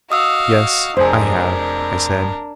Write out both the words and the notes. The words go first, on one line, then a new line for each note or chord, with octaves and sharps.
"Yes, I have," I said.
F#4 D#5 F5 D#6 E6
F1 F2 D4 G#4 A#4 C5